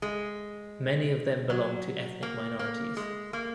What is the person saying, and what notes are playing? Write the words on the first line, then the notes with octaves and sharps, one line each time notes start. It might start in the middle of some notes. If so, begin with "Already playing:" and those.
Many of them belong to ethnic minorities.
G#3
F#3
A#3
A#3
G#3
A#3